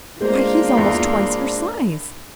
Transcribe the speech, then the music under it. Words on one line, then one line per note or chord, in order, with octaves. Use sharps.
"Why, he's almost twice her size."
G#3 A#3 D4 F4 C5
E2